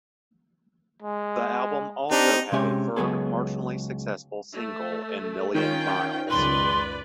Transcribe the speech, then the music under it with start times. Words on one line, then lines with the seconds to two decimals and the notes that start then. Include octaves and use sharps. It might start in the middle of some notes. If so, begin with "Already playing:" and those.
The album also had a third marginally successful single in "Million Miles".
1.02 G#3
2.11 C4 D4 D#4 G4
2.52 C3 G#3 C#4 G4 E5
2.96 C#2 F#2 F#3 B3 G#4 A4
4.52 A3
5.55 D#3 C#4 F4 G5
6.30 C#2 F#2 B4 D5 C6